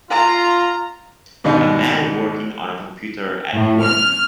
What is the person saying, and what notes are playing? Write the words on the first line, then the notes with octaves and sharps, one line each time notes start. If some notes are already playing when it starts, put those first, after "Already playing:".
A man working on a computer at work.
F4 A#5
D#2 G#2 B2 G#3 D4 D#4
A2
F6